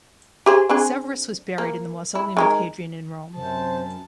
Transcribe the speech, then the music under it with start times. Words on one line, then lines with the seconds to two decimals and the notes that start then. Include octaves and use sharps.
Severus was buried in the Mausoleum of Hadrian in Rome.
0.46 G4 G#4 C5
0.69 C4 D4 G#4
1.58 A#3
2.15 E4
2.37 D#3 G#3 A#4
3.36 F#2 C3 C5 A5